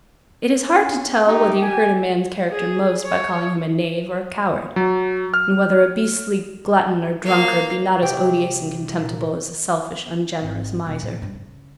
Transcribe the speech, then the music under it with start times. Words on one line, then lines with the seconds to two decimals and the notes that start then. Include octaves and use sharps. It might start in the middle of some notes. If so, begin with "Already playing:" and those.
It is hard to tell, whether you hurt a man's character most by calling him a knave or a coward, and whether a beastly glutton or drunkard be not as odious and contemptible, as a selfish, ungenerous miser.
0.59 C#4
1.27 D#4 G4
1.62 G#5
2.51 G#4
3.05 C#5
4.76 F#3
5.34 F6
7.24 A#3 F5
8.02 C2 C3 F#4 G4 G5
9.00 A#2
10.41 G#1
10.87 E1
11.03 A2
11.22 G2
11.35 C#3